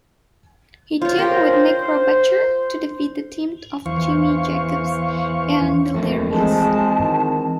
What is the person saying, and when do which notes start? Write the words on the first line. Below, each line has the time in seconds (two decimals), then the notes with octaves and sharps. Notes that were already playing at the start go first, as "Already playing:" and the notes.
He teamed with Necro Butcher to defeat the team of Jimmy Jacobs and Delirious.
1.02 F4 C5 C#5
1.19 A#4 G5
3.86 E2 E3 C5 F5 C#6
5.94 F2 F3 A3 A#3
6.31 E3 G#3 C4 A5
7.01 D#3